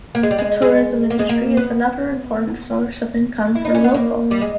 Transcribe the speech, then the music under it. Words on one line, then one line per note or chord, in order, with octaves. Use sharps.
The tourism industry is another important source of income for the local.
A#3
G#3
G3
G#3
G#3
A#3
G#3
A#3
B3
E4
D#4
C#4
B3
A#3
G3
G#3